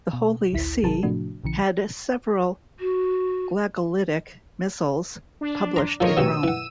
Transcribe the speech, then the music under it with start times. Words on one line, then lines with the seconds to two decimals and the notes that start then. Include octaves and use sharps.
The Holy See had several Glagolitic missals published in Rome.
0.13 B2
0.53 A1 D2 E4 B6
0.84 G#1 C3 F#3 G#4 A#4 A5
1.03 A2 C3 F3 A3 D4 F#4
1.44 A#1 C#3 E3 C#7
2.80 F#4
5.41 D4
5.76 A#5 C6
6.00 F3 A4 A#4 C5 C#5 D#5
6.17 D2 C3 B3 E6 D#7
6.43 E3 F#5